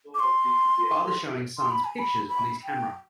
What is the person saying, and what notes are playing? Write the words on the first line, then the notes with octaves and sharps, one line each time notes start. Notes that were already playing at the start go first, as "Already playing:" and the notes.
Father showing sons pictures on his camera.
D6
C6
C6
B5
G#5
B5
B5
G5